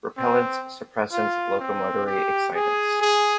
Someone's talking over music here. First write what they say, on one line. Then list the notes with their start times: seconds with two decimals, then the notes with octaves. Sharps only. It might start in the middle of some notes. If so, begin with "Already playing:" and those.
Repellents, suppressants, locomotory excitants.
0.18 C4
1.12 F4
1.60 C4
2.06 G4
2.55 G#4
3.01 G#4